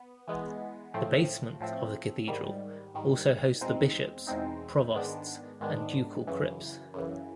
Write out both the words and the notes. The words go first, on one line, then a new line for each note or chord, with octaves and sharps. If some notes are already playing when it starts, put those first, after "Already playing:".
The basement of the cathedral also hosts the Bishops, Provosts and Ducal crypts.
Already playing: B3
E3 G#3 B3
A2 F3 A3 C4
A2 F3 A3 C4
G#2 D#3 G3
G#2 D#3 G3
E2 B2 G#3 C4 D#4
E2 B2 G#3 C4 D#4
G#2 D#3 G#3 B3 D4
G#2 D#3 G#3 B3 D4
F#2 C#3 E3
F#2 C#3 E3